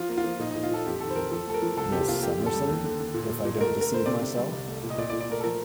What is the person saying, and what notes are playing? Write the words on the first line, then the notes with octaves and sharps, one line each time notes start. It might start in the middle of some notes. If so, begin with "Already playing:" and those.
Miss Summerson, if I don't deceive myself?
Already playing: F3 F4
A#3
F4
F3
A#2 D#4
A#2 D#4
F4
A#2 A4
F2 G4
D#3 A4
C5
F2 A#4
F3 A4
A3 A4
A#4
F3
C2 A4
C3 G4
A#3 F4
D3 G4
F2
A4
G3
D#2
D3
D3
A#2
A#2
A#2
A3 A#4
D3 A#4
D3 C5
C3 D5
C3
G3
C2
A3
A#2
D#5
A#2 D5
D5
A#2
D5
A3 A#4
A4
F3 A#4